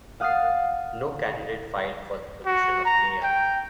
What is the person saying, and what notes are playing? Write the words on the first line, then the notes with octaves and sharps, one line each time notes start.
No candidate filed for the position of mayor.
F5 F#5 D#6 F6 A6 C7
F#4
A#5
G5